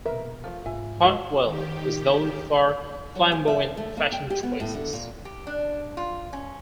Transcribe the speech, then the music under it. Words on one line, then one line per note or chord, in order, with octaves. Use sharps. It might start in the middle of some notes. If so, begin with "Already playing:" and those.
Hartwell was known for flamboyant fashion choices.
A#1 B2 A#4 B4 E5
F3 A3 F4 F5
G#2 F4 E5 G#5
C#2 F3 G#3 A#3 F#4 A4 C5 D#5
D#3 G4
F#3
G#5
E5
C3
A3
A#3
G5
G4
B3
A2
D3
A#2
G4
D4
F4
C#4